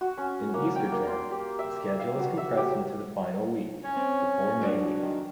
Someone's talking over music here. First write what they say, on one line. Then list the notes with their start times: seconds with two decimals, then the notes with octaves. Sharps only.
In Easter term, the schedule is compressed into the final week, before May Week.
0.01 F#4
0.18 C#4
0.54 A#3
0.76 G5
0.92 A#3
1.08 C6
1.31 G4
1.59 E5
1.99 F5
2.19 F#4
2.38 E5
2.57 G4
3.84 C#4 C#5
3.97 C4
4.61 F#3 D4 F#4
5.01 D#3